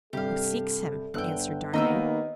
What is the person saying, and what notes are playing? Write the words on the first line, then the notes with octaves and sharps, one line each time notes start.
"Who seeks him?" answered Darnay.
G2 C3 G4 A4 F5
G1 D3 G5 E6 F#6
D#2 D#3 A#3 B3 D#5 A#5 E6 G6